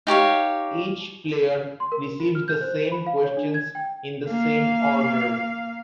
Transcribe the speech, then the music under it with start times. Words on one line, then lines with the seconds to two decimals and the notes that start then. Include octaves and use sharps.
Each player receives the same questions in the same order.
0.07 D#4 G4 C#5 F5
1.80 C6
1.92 A#4
2.20 F4
2.35 F6
2.48 G6
2.61 C5
2.92 B5
3.06 F5
3.24 C#5
3.37 D4
3.54 G#6
3.75 G5
4.27 A#3 F5